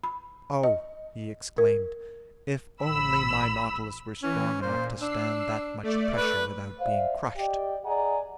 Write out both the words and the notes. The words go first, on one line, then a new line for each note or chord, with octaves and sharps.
"Oh," he exclaimed, "if only my Nautilus were strong enough to stand that much pressure without being crushed!"
B5
D#5
A#4
A1 B5 E6
E3 C#4
A#2 C5
D4 E6 C7
A3 D5
B4
C5 D5 E5 F5
G4 D5 D#5 G5
G#4 D5 D#5 F#5 G#5 A#5